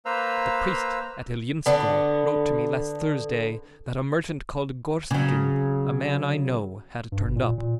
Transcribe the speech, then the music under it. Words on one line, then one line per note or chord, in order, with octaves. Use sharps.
The priest at Ilyinskoe wrote to me last Thursday that a merchant called Gorstkin, a man I know, had turned up.
A#3 B4 C5 F5 A#5 E6
D3 B3
C#3 F#3
G2
G1
A#2
A#2